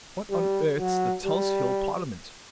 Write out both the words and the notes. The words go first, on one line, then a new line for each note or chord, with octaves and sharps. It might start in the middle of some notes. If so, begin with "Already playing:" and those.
'What on earth's the Tulse Hill Parliament?'
G3
F#3
G3